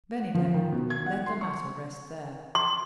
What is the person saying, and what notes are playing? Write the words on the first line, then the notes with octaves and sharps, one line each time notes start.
Bennydeck let the matter rest there.
F#5
F3
D#3
B2
G#6
F#5
C6
C#6
C6